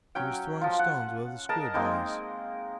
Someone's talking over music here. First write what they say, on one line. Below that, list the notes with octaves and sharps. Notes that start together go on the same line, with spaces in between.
He was throwing stones with other schoolboys.
F#3 C#4 G5
F3 F4
F#5
G#4 A#4 D#5 A5
G#3 A#3 C4 D#4